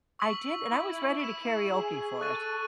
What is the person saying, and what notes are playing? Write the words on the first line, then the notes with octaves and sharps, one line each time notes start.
I did, and I was ready to karaoke for it.
C#6 E6 B6 F#7
E4
E4 E6 B6 E7
G#4
A4 C#6 F#6 A6 D#7